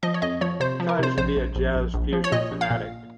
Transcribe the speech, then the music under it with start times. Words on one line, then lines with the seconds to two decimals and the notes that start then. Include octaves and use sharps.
He claims to be a "jazz fusion fanatic".
0.03 F3 D#5
0.14 C#5
0.22 F2 D#5
0.41 F3 C#5
0.60 C3 C5
0.80 F3
0.89 A#4
0.99 C3 C5
1.18 A#1 C5
1.36 A#1
1.56 A#1
1.75 A#1
1.94 A#1
2.13 F3
2.24 C#5
2.32 A#2 D#5
2.51 A#1
2.61 F5
2.71 A#2